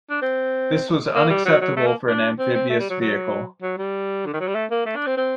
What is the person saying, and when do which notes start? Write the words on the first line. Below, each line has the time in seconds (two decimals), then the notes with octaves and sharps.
This was unacceptable for an amphibious vehicle.
0.10 D4
0.22 C4
1.15 A#3
1.30 G3
1.46 F#3
1.61 F#3
1.76 A3
1.87 A#3
2.08 D4
2.39 C4
2.54 C4
2.69 A3
2.79 G3
2.90 F#3
3.01 F#3
3.62 F#3
3.78 G3
4.26 D3
4.33 D#3
4.41 F#3
4.48 G3
4.55 A3
4.71 A#3
4.86 A3
4.96 D4
5.07 C4
5.17 C4